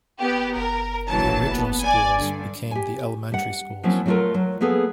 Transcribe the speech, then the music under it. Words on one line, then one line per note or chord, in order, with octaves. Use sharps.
The original schools became the elementary schools.
B3 G4
A#4
A#1 E3 F#3 A5
B3
D5 G#5
G2 D3
G4 G#5
G3 F#5
F3 F#3 A#3 C4 C#4 E4
F#3 G3 A3 F4 A4 A#4
F#3
A#3 B3 G#4 A4 B4